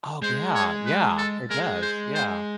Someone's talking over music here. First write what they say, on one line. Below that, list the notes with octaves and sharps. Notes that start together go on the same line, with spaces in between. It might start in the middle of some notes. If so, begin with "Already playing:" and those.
Oh, yeah, yeah, it does, yeah.
G#3 C5
C#5
B4
A4
G#3 A#4
C5
C5